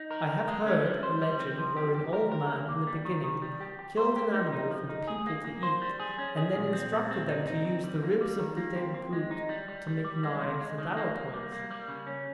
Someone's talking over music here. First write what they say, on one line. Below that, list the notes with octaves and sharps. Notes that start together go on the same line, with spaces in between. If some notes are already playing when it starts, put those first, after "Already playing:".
I have heard a legend wherein OLD-man, in the beginning, killed an animal for the people to eat, and then instructed them to use the ribs of the dead brute to make knives and arrow-points.
Already playing: D#4
A#4
A#4
G#3
C#4
G3
C5
G3
C4
F3
G4
G4
A#4
A#4
A#3
A#3
G3
D#3
D#3
G3
G4
G4
C5
G4
D#4
D#4
F3
D#4
G#4
A#3
A#3
C5
G3
G#4
C#4
G#4
A#2
C4
A#2
C4
D#4
D#4
C4
G3
A#3
G3
D#3
A#3
C4
C4
G#3
D#4
G3
G3
G3
G3
G#3
C3
G#3
D#3
A#3
A#3
G3
A#3
G3
C#3
C#4